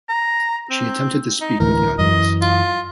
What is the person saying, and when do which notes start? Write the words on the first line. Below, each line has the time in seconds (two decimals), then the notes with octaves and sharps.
She attempted to speak with the audience.
0.09 A#5
0.70 C4
1.41 D#4
1.60 D2 A2 E3 A#4
1.99 F#2 E3 D#5
2.42 F4